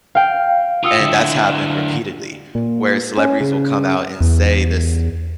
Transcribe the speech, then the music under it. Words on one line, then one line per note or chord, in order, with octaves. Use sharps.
And that's happened repeatedly, where celebrities will come out and say this
F5 G5
F4 D#6 E6 C#7
D3 E4
A#2
C#4
C#3
E2